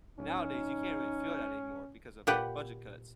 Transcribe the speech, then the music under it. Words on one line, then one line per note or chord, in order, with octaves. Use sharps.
Nowadays, you can't really feel that anymore because of, like, budget cuts.
D1 C#4 D#4
A#2 G4 B4 F#5 G5